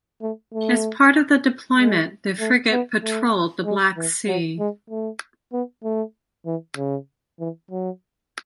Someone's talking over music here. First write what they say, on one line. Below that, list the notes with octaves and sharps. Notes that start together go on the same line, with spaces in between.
As part of the deployment, the frigate patrolled the Black Sea.
A3
A3
G#3
A3
B3
A3
G#3
E3
F#3
G#3
A3
B3
A3
E3
C#3
E3
F#3